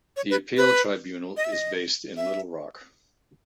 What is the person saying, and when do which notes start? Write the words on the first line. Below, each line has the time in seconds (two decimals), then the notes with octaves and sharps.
The Appeal Tribunal is based in Little Rock.
0.17 C#5
0.30 B4
0.57 B4
1.37 D#5
1.45 E5
1.52 D#5
2.17 E5